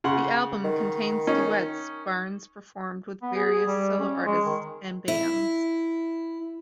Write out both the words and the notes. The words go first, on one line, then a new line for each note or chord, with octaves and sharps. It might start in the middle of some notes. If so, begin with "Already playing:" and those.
The album contains duets Barnes performed with various solo artists and bands.
C#3 F#5 C6
D#3
C#4 D#4
B3
G#4
G3
C#4
G#3
D#3
E4